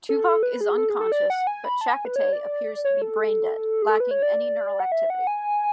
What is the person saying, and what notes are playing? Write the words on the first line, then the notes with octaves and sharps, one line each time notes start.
Tuvok is unconscious, but Chakotay appears to be brain dead, lacking any neural activity.
A4
B4
G#4
A4
G#4
A4
D5
F#5
G#5
B5
A5
G#5
B4
C#5
D5
C#5
A4
G#4
A4
B4
C#5
D5
F#5
E5
F#5
G#5